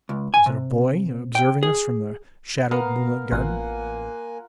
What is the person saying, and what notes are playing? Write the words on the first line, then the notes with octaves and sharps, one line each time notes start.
Was it a boy, observing us from the shadowed moonlit garden?
C#2
G#5
C3
G5
G#4
B3 A#4 F5 A#5
A1 A#3 F4 F#5 G#5